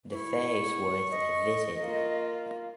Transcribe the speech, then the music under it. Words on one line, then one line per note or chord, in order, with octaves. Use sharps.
The fair is worth a visit.
E4 C#6
D#5
A#3 F4